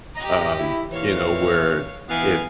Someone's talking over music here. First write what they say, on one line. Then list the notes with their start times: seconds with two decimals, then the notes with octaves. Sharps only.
um, you know, where it
0.15 G4 D#5 A#5
0.58 E4
0.91 A#2 E3 C#5 F5
2.09 E3 B3 F5 G#5